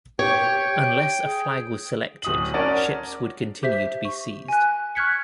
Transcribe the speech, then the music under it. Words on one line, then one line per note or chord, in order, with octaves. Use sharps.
Unless a flag was selected, ships would continue to be seized.
G4 C#5 G5
G#4
D1 D#6 F#7
C#4 A#4 D5 F#5 A5
G4 C5 E5 B6
C#6
G#5 F#6
C#6 F6 F#6 G#6 B6 C#7